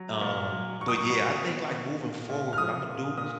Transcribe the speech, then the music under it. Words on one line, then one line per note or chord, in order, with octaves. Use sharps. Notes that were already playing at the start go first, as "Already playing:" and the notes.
um, but yeah, I think like moving forward, what Imma do
Already playing: F#3
A#2
F#3
F#3 C#6
D#6
C#6
B3
B3
B3
A#2
A#2
F6
F3 D#6
A#2
A#2 D#6